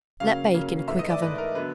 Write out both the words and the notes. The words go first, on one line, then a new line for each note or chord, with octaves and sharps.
Let bake in a quick oven.
C#3 F#3 A#3 C#4 F5
C#3 F#3 A#3 C#4
G#2 E3 A3 E5
D#5
D5
G#2 E3 A3 B4
A#4
D3 F#3 B3 B4